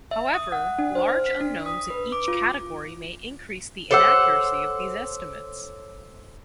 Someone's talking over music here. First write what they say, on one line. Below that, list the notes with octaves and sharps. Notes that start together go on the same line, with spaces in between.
However, large unknowns in each category may increase the inaccuracy of these estimates.
E5
D#6
F#5
D4
C5
F6
B6
D4
D#6
B4
D6
F4
A4 C5 C#5 F#5 D6 E6